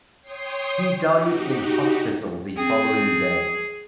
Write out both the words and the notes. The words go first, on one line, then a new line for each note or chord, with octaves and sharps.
He died in hospital the following day.
C#5 G5 C6 D#6 C7
D#4 F#4 G4
C4 G#4